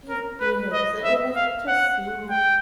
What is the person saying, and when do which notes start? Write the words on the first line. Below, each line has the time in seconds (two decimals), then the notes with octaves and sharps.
It is, an and I think just seeing,
0.09 A#4
0.41 B4
0.73 D#5
1.04 E5
1.36 F5
1.68 F#5
2.30 G5